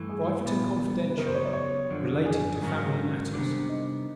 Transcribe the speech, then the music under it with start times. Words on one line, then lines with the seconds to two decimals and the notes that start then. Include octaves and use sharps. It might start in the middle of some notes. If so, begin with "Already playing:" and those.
Private and confidential; relating to Family Matters.
Already playing: G2 E3 A3
0.09 G#4
0.45 A#2 G3 B3
1.10 B4
1.18 C#3 F#3 B3 D#4 G4 A#4
1.26 C5
1.35 C#5
1.45 D5
1.53 C#5
1.90 F#2 D3 F3
2.26 G#4
2.62 G#2 D#3 F#3 A#3 C#4
3.33 C3 D#3 G3 B3 D4
3.69 D#4